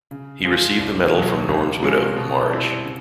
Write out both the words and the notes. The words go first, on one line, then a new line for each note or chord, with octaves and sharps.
He received the medal from Norm's widow, Marj.
C#3
F3 G#3
C2
B2 F#3
C#2
C3 F3 G#3 C#4
B2
G3 C4 E4
C#3